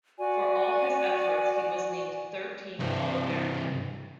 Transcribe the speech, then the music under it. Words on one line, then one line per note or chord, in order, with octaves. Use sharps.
For his efforts, he was named Third Team All-American.
F#4 D5 G#5
C2 G2